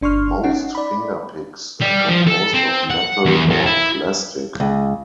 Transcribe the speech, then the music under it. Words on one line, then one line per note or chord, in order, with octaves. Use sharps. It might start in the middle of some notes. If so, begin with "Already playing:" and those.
Most fingerpicks are composed of metal or plastic.
G1 D4 C6 C#6 F6
C#4 D#4 F#5
D5 B5
G3
F3
A4
C4
F#5
E2
E2
E4
C#2